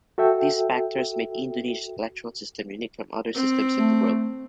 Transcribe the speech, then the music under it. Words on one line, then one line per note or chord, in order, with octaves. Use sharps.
These factors made Indonesia's electoral system unique from other systems in the world.
F#4 A4 E5 G5
C4
A3